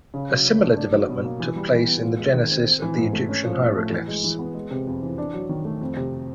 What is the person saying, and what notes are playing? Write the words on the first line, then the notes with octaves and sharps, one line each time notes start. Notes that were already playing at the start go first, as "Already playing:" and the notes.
A similar development took place in the genesis of the Egyptian hieroglyphs.
C#3
F#3
C#3
A3
D4
F#3
B2
A#3
E3
G3
E3
B3
F4
G#3
D#3
C4
C4
E3
G#2
A3
C#4
F3
A2
A3
E3
G#3
E3
B3
G#3
C3
F2
E3
D4
F#3
D#3
A3
F2
C3